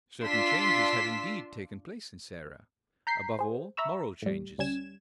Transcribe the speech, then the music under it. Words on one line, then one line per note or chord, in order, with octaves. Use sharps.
Certain changes had indeed taken place in Sarah; above all, moral changes.
D4 F4 C6 E6 B6
A#5 G6 B6 C7
G#4 C5
E5 A#5 B5 C#6 E6
A2 G3
D2 G3 C#4 G#6 E7